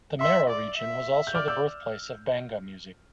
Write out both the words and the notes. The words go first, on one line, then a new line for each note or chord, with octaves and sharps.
The Mara Region was also the birthplace of Benga music.
E5 C6 E6
D5
E5
G6
D5 D6 F6
E6 G6